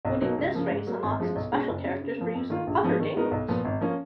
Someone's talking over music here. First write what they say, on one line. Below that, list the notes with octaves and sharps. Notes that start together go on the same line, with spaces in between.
Winning this race unlocks the special characters for use in other game modes.
B1
B2 F#3 A#3 D#4
C#2
C#3 F3 A#3
G#2
F#3 A#3
G#1
F#2 F3 G#3
B1
B2 G#3 C#4
F#1
F#2 C#3
C#3
F3 A#3
F2
D#3 A#3 F4
A#1
G#2 F3 B3
D#3
G#3 B3 D#4 A#4
B1
A#2 F3 B3
G#1
F3 A#3 C#4